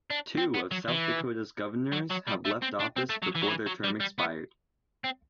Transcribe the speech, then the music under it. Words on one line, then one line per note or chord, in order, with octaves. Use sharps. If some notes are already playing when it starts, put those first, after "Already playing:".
Two of South Dakota's governors have left office before their term expired.
D4
C4
B3
F#3
E3
F#3
F#3
G3
A3
C4
D4
C4
A3
F#3
E3
F#3
E3
F#3
G3
G3
B3
C4